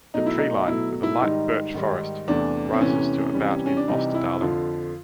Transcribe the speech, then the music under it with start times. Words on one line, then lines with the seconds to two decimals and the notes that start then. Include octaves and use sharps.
The treeline, with a light birch forest, rises to about in Østerdalen.
0.14 B2 F#3 A3 D#4
0.26 E4
0.38 D#4
0.68 B2 F#3 A3 E4
1.03 E4
1.21 G#2 D#3 G3 D#4
1.74 G#2 D#3 G3
2.28 E2 C3 E3 A3 D4
2.74 C4
2.81 E2 C3 E3 A3 C#4
3.35 C3 E3 G3
3.66 C#4
3.77 D4
3.88 C3 E3 G3 D#4
4.15 E4
4.41 F2 D3 F3 F4